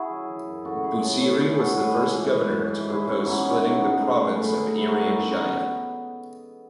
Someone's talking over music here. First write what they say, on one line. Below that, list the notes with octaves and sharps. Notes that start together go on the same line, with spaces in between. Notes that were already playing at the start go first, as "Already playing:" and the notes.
Busiri was the first governor to propose splitting the Province of Irian Jaya.
Already playing: E4 F#4 G#4
F#3
E3
F#2
E3 F#4 A4
E3 G#4 B4
A2 A4 C#5
E3 A4 C#5
E3 G#4 B4 C#5
A2 F#4 A4
G#2 G#4 B4
G#2 G#4 B4
E3
E3
G#2
E3
G#2 E4 G#4
G#2 C#4 E4
E4
G#2 B3 D#4
G#2 C#4 E4
E4
G#2 D#4 F#4
G#2 D#4 F#4
A2 G#4 B4
A2 G#4 B4
A2 G#4 A4 B4
A2 G#4 B4
F#3 E4 G#4
D#4 F#4
F#2
C#4 E4
F#2 B3 D#4
B3 D#4